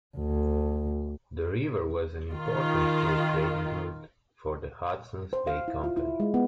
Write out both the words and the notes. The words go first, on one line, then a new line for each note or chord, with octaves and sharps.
The river was an important fur trading route for the Hudson's Bay Company.
D2
D#3 F4
C5
F5
E4
F4
E4
G#3
B3